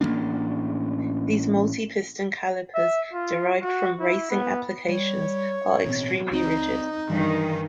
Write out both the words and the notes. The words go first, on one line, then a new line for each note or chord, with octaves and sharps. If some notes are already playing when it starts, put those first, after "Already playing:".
These multi-piston calipers derived from racing applications, are extremely rigid.
A1 D3 A#3 D4
E5
F4
F#4
E4
B3
G3 C#5
A1 B2 C4
C#2 C4 D#4
G2 D#3 E3